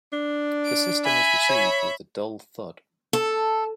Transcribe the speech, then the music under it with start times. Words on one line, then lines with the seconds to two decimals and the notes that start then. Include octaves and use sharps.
The system was received with a dull thud.
0.13 D4
0.66 D7
1.04 E5 G#5 B5
1.49 C#5
3.13 A4